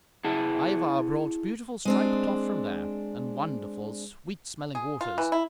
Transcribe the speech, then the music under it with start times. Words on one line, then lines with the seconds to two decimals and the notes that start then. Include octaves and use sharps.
Ivar brought beautiful striped cloth from there, and wonderful, sweet-smelling waters.
0.25 E4 G#4 F#5 A5
1.85 G#3 C4 D4
4.75 G#4
5.01 F4
5.18 E3
5.32 E4